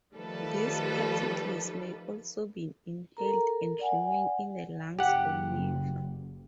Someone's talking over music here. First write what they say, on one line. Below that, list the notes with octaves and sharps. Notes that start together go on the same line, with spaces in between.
These particles may also be inhaled and remain in the lungs or liver.
D#3 F3 G3 A3 A4 B4
A4 A#4 A#5
D5 F#5 G#5
F#1 G4 F#5